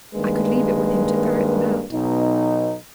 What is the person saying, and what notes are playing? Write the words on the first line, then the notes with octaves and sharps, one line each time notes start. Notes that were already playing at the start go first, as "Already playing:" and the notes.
I could leave it with him to ferret them out.
G2 D#3 G#3 A#3 B4
B1 B2 D#4